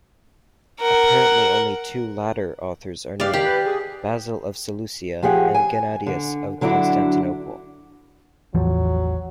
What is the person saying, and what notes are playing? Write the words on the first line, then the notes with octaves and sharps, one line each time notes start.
Apparently only two later authors are known: Basil of Seleucia and Gennadius of Constantinople.
A#4 F#5
G#3 D4 G4 D5 F5
D#3 G4
B4
G#4
F3 G4 G#4 F#5
G#5
D3
D3 F#3 D4 E4 F#4
A1 E2 F3 F#3